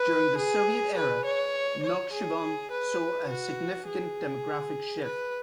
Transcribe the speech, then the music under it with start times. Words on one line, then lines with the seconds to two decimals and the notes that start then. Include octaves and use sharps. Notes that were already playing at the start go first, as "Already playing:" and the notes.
During the Soviet era, Nakhchivan saw a significant demographic shift.
Already playing: B4
0.37 G#4
0.96 B4
1.25 C#5
1.83 C#5
2.12 G#4
2.71 B4
3.29 F#4
3.87 G#4
5.03 B4